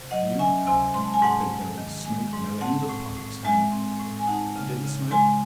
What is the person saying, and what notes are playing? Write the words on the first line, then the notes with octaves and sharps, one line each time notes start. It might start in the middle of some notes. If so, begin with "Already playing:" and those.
You, however, can go and smoke no end of pipes and--YOU DIDN'T SMOKE?
Already playing: C3
F#3 D#5 F#5
C#4 E5 G#5
C3 G#5 C6
G#3 C6
A5
G#5
G#2 F#5 A5
G#2
D#3
G#3
G#2
C4 F#5 A5
A2
A2
G#3 E5 G#5
C4
A2
G#5
D#4 F#5 A5
C#3
C#3
G#3 G#5 C6